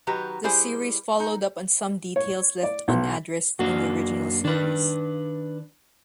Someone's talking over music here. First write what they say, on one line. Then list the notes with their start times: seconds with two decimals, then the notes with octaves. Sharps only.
The series followed up on some details left unaddressed in the original series.
0.07 D#3 F#3 G4 B4 A#5
0.44 G3 E4 G#4 C5
1.20 D#4
2.16 C#5
2.63 D5
2.88 B1
3.59 F#2 A#3 D4 F#4
4.45 D#3 D4 B4